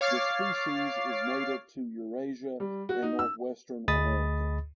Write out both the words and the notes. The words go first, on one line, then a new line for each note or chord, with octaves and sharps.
The species is native to Eurasia and Northwestern America.
C#5 F5 D6 F6 A6 C7
G3
F#4
D#4
E6
D2 G#4 D#5 B5 D#6 A6